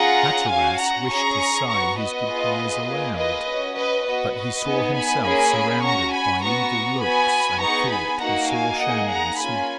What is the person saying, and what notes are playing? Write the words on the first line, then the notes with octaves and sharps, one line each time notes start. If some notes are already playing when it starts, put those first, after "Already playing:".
Hatteras wished to say his good-byes aloud, but he saw himself surrounded by evil looks and thought he saw Shandon smile ironically.
Already playing: C#4 F4 G#4 F#5 A#5
C#4 F#4 F5 G#5
F#5 A#5
C#4 G#4 A#5 C#6
B3 F#4 A#5 C#6
B4 D#5
B3 F4 G#4
A#3 F4 G#4
B4 D#5
C#4 F#4
B4 D#5
B3 F#4 B4 D#5
B4 D#5
B3 D#4 G#4
G#5 B5
A#3 C#4 G#4 G#5 B5
C#4 F#4 A#5 C#6
G#5 B5
B3 F#4 A#5 C#6
B3 F#4 G#5 B5
B3 D#4 G#4 A#5 C#6
G#5 B5
A#3 D#4 F#4 F#5 A#5
F5 G#5
A#3 D#4 G#4 D#5 F#5
F#5 A#5
A#3 C#4 F4 G#5 B5